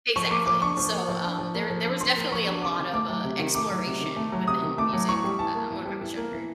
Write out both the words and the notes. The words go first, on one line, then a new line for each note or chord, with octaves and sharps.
Exactly. So, um, there there was definitely a lot of, uh, exploration within music, um, when I was younger.
F3 C#6
A#3 D6
F3 D6
D4 C#6
F3
A#3
F3
D4
F3
A#3
F3
D4
F3 C6
A#3
F3 C#6
D4
C3 D6
D#3
A3 D6
F#3
C3
D#3
A3 D6
F#3
C3
D#3
A3
F#3
C3 D#6
D#3
A3 D6
F#3
E3 C#6
G3
E3 A5
A#3
E3
G3
E3
A#3
E3